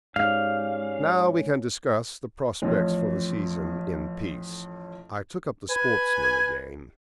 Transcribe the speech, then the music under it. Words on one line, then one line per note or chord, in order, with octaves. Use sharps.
"Now we can discuss the prospects for the season in peace." I took up "The Sportsman" again.
G#2 G3 C#4 F5
A1 F2 C#4
B4 G#5